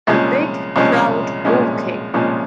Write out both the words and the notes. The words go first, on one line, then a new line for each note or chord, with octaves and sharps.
A big crowd walking.
C2 A#2 F3 G#3 C#4
C2 A#2 F3 G#3 C#4
C2 A#2 F3 G#3 C#4
C2 A#2 F3 G#3 C#4